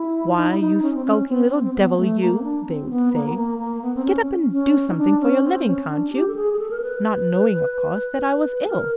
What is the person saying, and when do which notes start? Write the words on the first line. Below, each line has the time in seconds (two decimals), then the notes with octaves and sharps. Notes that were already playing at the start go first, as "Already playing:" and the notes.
"Why, you skulking little devil, you," they would say, "get up and do something for your living, can't you?"--not knowing, of course, that I was ill.
Already playing: E4
0.30 E4
0.36 D#4
0.50 E4
0.59 D#4
0.82 C#4
0.94 C4
1.05 C#4
1.28 C4
1.51 C4
1.63 C4
1.74 B3
1.97 A3
2.20 A#3
2.43 D4
2.66 C4
2.90 B3
3.13 A#3
3.29 B3
3.36 A#3
3.59 A#3
3.82 B3
3.95 C4
4.05 C#4
4.51 C#4
4.88 D#4
4.98 D4
5.21 C#4
5.43 C4
5.66 C#4
5.89 D4
6.13 G4
6.28 A4
6.36 G#4
6.53 G#4
6.59 A4
6.71 A#4
6.82 B4
8.67 A#4